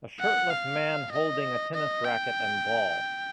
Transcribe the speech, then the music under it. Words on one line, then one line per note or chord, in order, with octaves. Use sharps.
A shirtless man holding a tennis racket and ball.
F#5
F5
D#5
D#5
G5